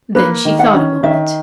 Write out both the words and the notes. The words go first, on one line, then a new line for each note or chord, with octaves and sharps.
Then she thought a moment.
A#3 B4
D#3
F#5
C#4
D#3 E5